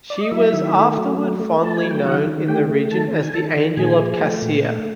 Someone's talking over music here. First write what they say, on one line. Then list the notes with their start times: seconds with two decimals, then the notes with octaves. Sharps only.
She was afterward fondly known in the region as the "Angel of the Cassiar".
0.10 D5
0.21 D#5
0.31 F#3 E4 E5
0.53 D#3
0.74 A3
0.97 F#3
1.18 A3
1.40 A3
1.62 A3 A5
1.77 G#5
1.84 F#3
1.91 G5
2.04 D#3 F#4 F#5
2.26 D#3
2.47 A3 G4 G5
2.69 A3
2.91 D#3 A4 A5
3.13 D#3
3.22 G#5
3.34 D#3 A4 A5
3.57 D#3
3.77 A#2 G#4 G#5
3.99 F3
4.20 A3
4.42 A#2
4.64 A3